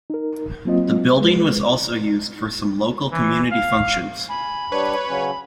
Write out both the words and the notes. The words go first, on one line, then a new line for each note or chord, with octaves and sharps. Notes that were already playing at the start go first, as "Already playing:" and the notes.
The building was also used for some local community functions.
D#4 A#4
F#3 A#3 C4 F4 D#5
G#3 B4
E3
F5
G#5 B5
G3 D4 B4 C#5
C#3 F#3 C#4